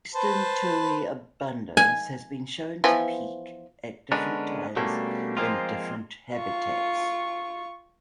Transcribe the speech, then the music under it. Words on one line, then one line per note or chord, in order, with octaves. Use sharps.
Eastern towhee abundance has been shown to peak at different times in different habitats.
B4 C5 A5
G#5
E3 F3 B3
D3 G#3 B3 C#4 D4 A#4
B2 G3 A3 A#3 C#4 D4
F3 G#3 A#3 C4 F4
F4 C#6